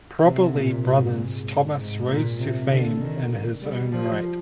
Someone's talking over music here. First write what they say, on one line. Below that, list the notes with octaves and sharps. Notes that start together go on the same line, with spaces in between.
Probably brothers Thomas rose to fame in his own right.
C3
A#2
G#2
G#2
A#2
C3
D3
D#3
G3
F3